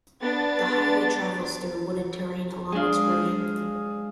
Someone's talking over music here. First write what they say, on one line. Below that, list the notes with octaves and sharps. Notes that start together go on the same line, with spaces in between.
The highway travels through wooded terrain along its routing.
B3 D4 A6
G#3 D4 G#4 F5